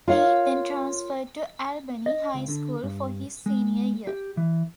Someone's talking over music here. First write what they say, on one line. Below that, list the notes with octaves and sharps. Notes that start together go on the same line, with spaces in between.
He then transferred to Albany High School for his senior year.
F4 A#4 C#5 F5
D#5
C#2
D3
G2
G#3
G4
E3